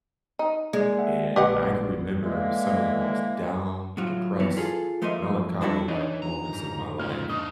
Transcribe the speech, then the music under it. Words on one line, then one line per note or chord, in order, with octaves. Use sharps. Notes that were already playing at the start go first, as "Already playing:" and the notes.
And I can remember some of the most down, depressed, melancholy-like moments of my life
D#4
G#3 A#3 D5
E5 F#5
A#1 G4 B4 D#5 F#5 D6
D3 E3 G#3 A#3
A2 F#3 F4
F2 E3 F#3 B3
F4 G#4 A4
F3 A3 A#3 C5 D#5 E5
F3 G3 D4 E4 F#4 A4
E3 D4 D#4 C#5
F3 A#5
F2 G#2
C#2 A#3 F4 F6
D4 D#5 C#6 D#6